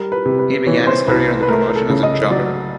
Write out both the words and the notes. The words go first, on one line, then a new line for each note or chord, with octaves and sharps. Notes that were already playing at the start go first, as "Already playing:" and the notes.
He began his career in the promotion as a jobber.
Already playing: G3 A#4
B4
C3
B4
E3 C#5
C5
C2 B4
B4
A3 A#4
A#4
A4
C#3
D#5
F#3 D5